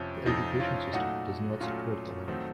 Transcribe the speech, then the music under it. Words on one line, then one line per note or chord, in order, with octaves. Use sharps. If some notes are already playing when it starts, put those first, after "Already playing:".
The education system does not support the language.
Already playing: F2 C3 F3 C4 C#4
F2 C3 F3 C4 D#4
C#4 F4
A#2 F#3 A3 D#4 F#4
A#2 F#3 A3 C#4 F4
F2 D#3 F#3 A3 C4 D#4